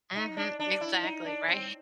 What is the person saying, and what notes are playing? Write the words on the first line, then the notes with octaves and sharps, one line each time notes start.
Mhm, exactly, right?
D#4
D4
D4
E4
D#4
D4
C4